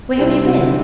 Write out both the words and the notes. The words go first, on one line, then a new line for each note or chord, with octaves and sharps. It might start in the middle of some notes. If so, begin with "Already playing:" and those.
Where have you been?'
C3 G3 C4 E4